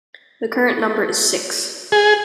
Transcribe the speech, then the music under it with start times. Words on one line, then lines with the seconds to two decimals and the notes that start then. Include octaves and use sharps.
The current number is six.
1.92 G#4